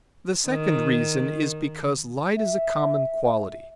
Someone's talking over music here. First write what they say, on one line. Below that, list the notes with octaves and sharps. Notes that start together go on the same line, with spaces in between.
The second reason is because light is a common quality.
D#3
E5